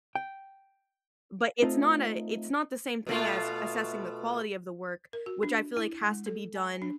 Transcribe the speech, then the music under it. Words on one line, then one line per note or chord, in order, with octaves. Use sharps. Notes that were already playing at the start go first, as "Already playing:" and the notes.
but it's not a it's not the same thing as assessing the quality of the work, which I feel like has to be done
G5
A3 C4 D#4 F4
B2 A3 F4
A#4
F#4
D4
E4
G#3
A4
G#5
D4